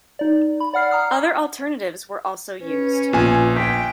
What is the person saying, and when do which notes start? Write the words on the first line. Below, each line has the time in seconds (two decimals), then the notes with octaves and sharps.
Other alternatives were also used.
0.19 D#4 D5
0.60 B5
0.74 D5 F#5 F6 C7
0.91 F#5 A#5 D#6 F6
2.63 C#4 B4
3.13 A#1 A#2 G#5
3.57 G5 B6